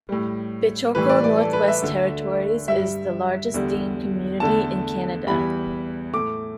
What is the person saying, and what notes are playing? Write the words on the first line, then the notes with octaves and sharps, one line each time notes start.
Behchoko, Northwest Territories is the largest Dene community in Canada.
A2 G3
A2 E3 G3 B4
D5
D5
A4
B4
E5
D2 D3 A3
G2 G3 E5
E2 D3 G3
E2 D3 A3 A5
E2 E3 G3 B5
A2 A3 D6